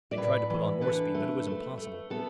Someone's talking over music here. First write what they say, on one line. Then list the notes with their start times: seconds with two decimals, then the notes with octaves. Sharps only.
They tried to put on more speed, but it was impossible.
0.11 D5
0.17 A2 B4
0.50 E3
0.81 D3 B4
1.14 A3
1.46 A3
1.78 A3
2.10 B3 A4